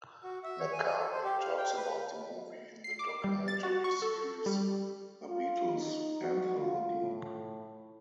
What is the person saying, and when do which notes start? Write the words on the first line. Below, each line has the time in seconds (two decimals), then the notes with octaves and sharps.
McCartney talks about the movie in the documentary series "The Beatles Anthology".
0.24 F#4
0.44 E5
0.60 C#5
0.73 G#5
0.86 G#5
0.98 A4
1.12 C5
1.24 G4
1.41 F5
1.57 G5
1.76 B4
2.84 C7
2.99 D6
3.24 G3
3.48 A6
3.63 F#4
3.84 C#6
4.02 A4
4.46 G3
5.28 F4
5.75 D#4
6.21 F#4
6.60 F4
7.02 A2